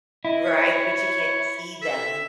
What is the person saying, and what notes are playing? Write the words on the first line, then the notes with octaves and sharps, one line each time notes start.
Right, but you can't see them.
E4 D#5
C#5
A4 E5